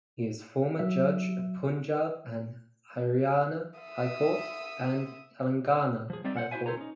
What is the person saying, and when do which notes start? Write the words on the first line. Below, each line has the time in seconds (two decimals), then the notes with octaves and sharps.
He is former Judge of Punjab and Haryana High Court and Telangana High Court.
0.79 F#3 E5
3.80 E5 D#6
6.10 F3 G#4
6.24 G3 C4 D#4 D5 E5
6.37 C5 F#5
6.51 E4 F#4 G#4 C5 E5 G#5
6.66 F4 A4 C5 C#5 A#5
6.77 C#4 D#4